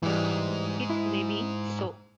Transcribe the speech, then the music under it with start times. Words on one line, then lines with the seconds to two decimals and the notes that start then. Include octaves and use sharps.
It may be so.
0.03 G#2 E3 G3 G#3
0.90 E4